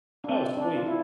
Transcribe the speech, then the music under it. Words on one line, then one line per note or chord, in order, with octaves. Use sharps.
Oh, sweet.
D4
C4
D4
F4
E4